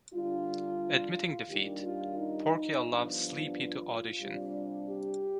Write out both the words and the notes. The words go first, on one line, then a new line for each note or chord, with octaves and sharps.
Admitting defeat, Porky allows Sleepy to audition.
D3 G3 D4 F4
D#2 D#3 G3 D4 G4
F4
D#4
G2 F3 B3 D4 F4
C3 G3 D4
G4